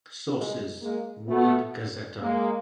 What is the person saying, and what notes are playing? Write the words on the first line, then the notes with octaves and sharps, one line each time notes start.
Sources : World Gazetter.
F#3 G#3
G#3 A#3
A3 B3
G#3 A#3